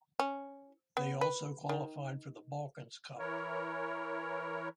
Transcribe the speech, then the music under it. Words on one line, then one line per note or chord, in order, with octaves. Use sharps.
They also qualified for the Balkans Cup.
C#4
B3
B4
D#3
E3 E4 A#4 C#5